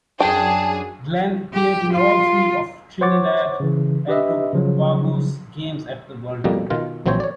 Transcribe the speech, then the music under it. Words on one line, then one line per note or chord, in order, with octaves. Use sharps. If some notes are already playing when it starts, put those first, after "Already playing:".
Glen appeared in all three of Trinidad and Tobago's games at the World Cup.
F#2 F#3 D4 G#4 G5 A5
G4
F4
C5 C#5 F#5 C#6 D6 A6
C#3 E3
D4 G4 B4 D#5 E5
C#3 F3 F#3
F2 B2 G3 A#3
B2 D#3 F4
A#1 E3 F#3 C4 C5 C#5
C#5 D5